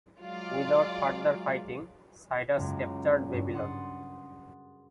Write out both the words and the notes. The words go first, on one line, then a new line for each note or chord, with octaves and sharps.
Without further fighting, Cyrus captured Babylon.
F#3 G#3 F4 D5
C#2 F#2
G2
F#5 C6 D#6 A6